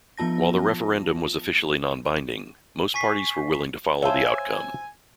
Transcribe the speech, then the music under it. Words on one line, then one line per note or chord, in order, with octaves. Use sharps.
While the referendum was officially non-binding most parties were willing to follow the outcome.
F3 B3 F4 A5 A#6
G#5 C#6 B6 C7
C5 C#5 E5 F5 G#5 A5